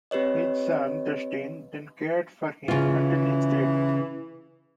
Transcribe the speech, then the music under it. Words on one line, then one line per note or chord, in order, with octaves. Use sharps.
His son Dustin then cared for him until his death.
C4 G4 B4 C#5 D#5
C#3 E3 F4